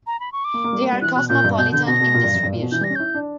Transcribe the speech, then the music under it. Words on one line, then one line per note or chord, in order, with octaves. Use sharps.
They are cosmopolitan in distribution.
A#5
B5
C#6
D6
A#3
A#3
G3
A#3
G3
E3 F#6
B2 F#6
A#2 G6
G2
B2 G6
D3 G6
B2 A#6
B2
A#2
G2
F#2
G2
A#2
B2
E3 G6
G3 A#6
C#4
E4 G6
D4